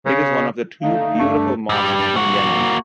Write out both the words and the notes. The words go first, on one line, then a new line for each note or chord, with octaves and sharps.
It is one of the two beautiful mosques in Yemen.
C#3
D3 A3 D#4 F5
G2 A3 D4
G2 G3
A#3 F#4